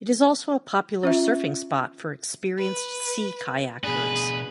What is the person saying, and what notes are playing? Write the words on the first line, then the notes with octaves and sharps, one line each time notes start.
It is also a popular surfing spot for experienced Sea Kayakers.
C#4 F4 E5
B4
B2 D4 G#4 B4